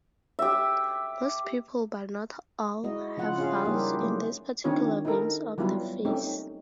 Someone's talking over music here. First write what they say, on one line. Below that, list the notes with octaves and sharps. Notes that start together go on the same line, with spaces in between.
Most people, but not all, have valves in these particular veins of the face.
G4 E5
G#3 E4 F#4 D#5
C#3 F3 F4 F#5
C#4 F4 G#4 F5
G3 A#3 C#4 D#4 E4 G4
F#3 A3
D#3 C4 D4 F4 G4 C#5
D#4 E4 G4 A4 A#4
F#3 G3 B3 E4 F4
A3 C4 C#4 D#4 G4